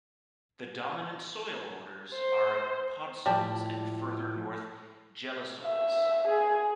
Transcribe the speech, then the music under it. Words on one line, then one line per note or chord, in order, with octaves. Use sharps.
The dominant soil orders are podsols and further north gelisols.
C5
A2 F3 G3 G4 A5
E5
G#4